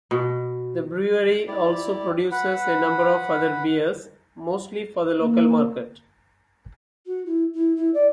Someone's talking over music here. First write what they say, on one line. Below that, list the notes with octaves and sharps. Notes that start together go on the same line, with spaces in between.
The brewery also produces a number of other beers, mostly for the local market.
B2
E4 G4 D5
B4 F#5 B5
A#3
F#4
E4
E4
E4
D5